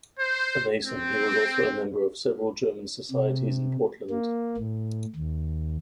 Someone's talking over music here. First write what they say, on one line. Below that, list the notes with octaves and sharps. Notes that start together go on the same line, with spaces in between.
A Mason, he was also a member of several German societies in Portland.
C5
C4
C3
A#3
A2
D#2